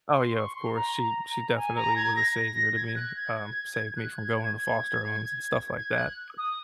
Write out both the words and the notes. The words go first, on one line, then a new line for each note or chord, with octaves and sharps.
Oh, yeah, of course, she she definitely was a savior to me. Um, saved me from going to foster homes and stuff like that, but
C6
C#6
C6
A#5
G#5
A#5
G#6
A#6
G#6
F#6
G#6
F#6
G#6
G#6
G#6
G#6
F#6
D#6